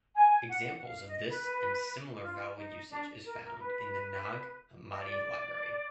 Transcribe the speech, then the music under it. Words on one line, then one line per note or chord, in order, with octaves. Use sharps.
Examples of this and similar vowel usage is found in the Nag Hamadi Library.
G#5
F#5
F#5
F5
D#5
B4
F4
D#4
D4
A#4
A#4
B4
D#5
D5